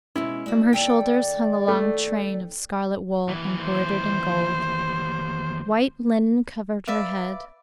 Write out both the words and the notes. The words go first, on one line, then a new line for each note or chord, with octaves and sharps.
From her shoulders hung a long train of scarlet wool embroidered in gold. White linen covered her head.
B2 G#3 C#4 E4
G#3 F#4 D5
D#2 A4 D5 G5
A3
D#2 E3
C5
B4 D5 E5 F5